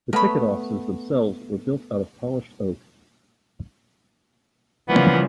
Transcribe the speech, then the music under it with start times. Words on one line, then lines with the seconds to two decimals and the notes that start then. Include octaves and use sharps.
The ticket offices themselves were built out of polished oak.
0.13 A3 B3 A#4 C#5 B5
4.89 C#3 E3 F3 G3 A#3 B3